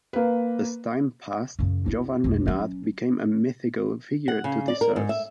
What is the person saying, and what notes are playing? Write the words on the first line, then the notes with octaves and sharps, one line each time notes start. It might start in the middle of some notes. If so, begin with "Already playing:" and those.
As time passed, Jovan Nenad became a mythical figure to the Serbs.
A#3 B4
F#2 C#3
D4 E4
F1 B1
F#3 C#4
F#5
C#3
D5
A#4
G#2
E5